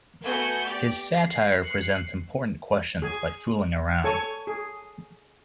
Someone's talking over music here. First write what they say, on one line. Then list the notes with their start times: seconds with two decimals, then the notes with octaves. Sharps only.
His satire presents important questions by fooling around.
0.24 A3 B3 F#4 G#5 G6 C#7
0.66 G4 D5
1.13 C7
1.65 F#6 C7 C#7
3.02 G#4 G#5
4.04 A4 C#5 G#5 C#6
4.47 G#4